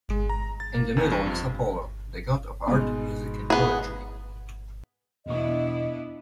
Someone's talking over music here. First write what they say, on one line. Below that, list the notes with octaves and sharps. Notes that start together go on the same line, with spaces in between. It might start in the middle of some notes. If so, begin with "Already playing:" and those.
In the middle is Apollo the god of art, music and poetry.
G#3
A#5
A6
A#3
E2
G2
F2
G#2 B2
B3 G#4
E2 B2 B3 D4 E4 D#5 C#6